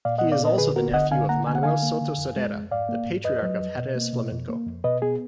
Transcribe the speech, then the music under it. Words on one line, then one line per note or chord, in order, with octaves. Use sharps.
He is also the nephew of Manuel Soto Sordera, the patriarch of Jerez flamenco.
A#2 D5 F5
B3 D#5 F#5
D5 F5
A#2 B4 D#5
D3 G#4 B4
B3 F#4 A#4
D3 D#5 F#5
D3 F5 G#5
A#3 F#5 A#5
D3 G#5
F#5
D3 F5 G#5
A#3
D3
F2
G#3
F2
G#2 D5 F5
A#3
G#2
F2 B4 D#5
F#3
F2
B2
A#3
B2
F2
A#3
F2
B2 B4 D#5
B3 G#4